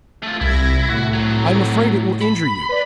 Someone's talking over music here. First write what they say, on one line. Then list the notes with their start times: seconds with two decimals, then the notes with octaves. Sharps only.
"I am afraid it will injure you."
0.23 A3 F4
0.41 C2 E4 G#6 A#6
0.90 A2 F#4
1.13 C2 F#3
2.21 B5
2.69 B4 D5